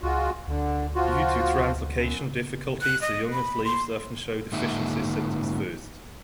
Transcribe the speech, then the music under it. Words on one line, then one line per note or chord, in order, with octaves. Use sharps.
Due to translocation difficulties the youngest leaves often show deficiency symptoms first.
C#2 G#3 F4 F#4
D2 D3
F3 F4 F#4
F#2
F#6
D#5
B5
C6
G#2 D3 A#3 D#4 E5